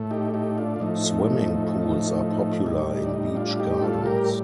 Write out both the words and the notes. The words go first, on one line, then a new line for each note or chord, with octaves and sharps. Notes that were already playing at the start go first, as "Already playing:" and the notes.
Swimming pools are popular in beach gardens.
Already playing: A2 A3
D#4 G4
D#4 G4
D4 F4
F4
A2 F3 A3 D#4
A2 G3 D#4
D#4
D4
D#4
D4 F4
D#4 G4
F4 A4
G4 A#4